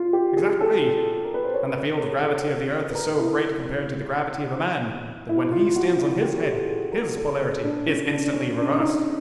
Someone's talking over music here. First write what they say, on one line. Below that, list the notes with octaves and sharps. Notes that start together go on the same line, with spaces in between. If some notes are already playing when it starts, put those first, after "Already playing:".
"Exactly, and the field of gravity of the earth is so great compared to the gravity of a man that when he stands on his head, his polarity is instantly reversed."
Already playing: F4
G4
G#4
A4
A#4
B4
C5
C#5
C#5
G#4
A4
A4
B4
A#4
E4
E4
F4
F4
F#4
E4
G4
A4
G#4
G#4
A#4
A4
G#4
D4
C#4
D4
D4
C#4
D4
D#4